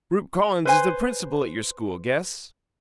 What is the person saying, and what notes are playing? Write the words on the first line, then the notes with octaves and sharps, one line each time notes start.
"Rupe Collins is the principal at your school, guess."
B4 C5 G#5